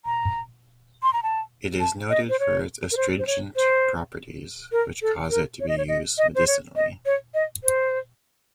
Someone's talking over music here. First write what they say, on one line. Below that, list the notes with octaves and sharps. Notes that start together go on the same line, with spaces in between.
It is noted for its astringent properties, which cause it to be used medicinally.
A#5
C6
A#5
A5
A5
D#5
C5
C#5
A#4
C5
C5
C#5
C5
A#4
A4
A#4
C#5
D#5
C#5
D#5
D#5
C5
C#5
D#5
C#5
D#5
C5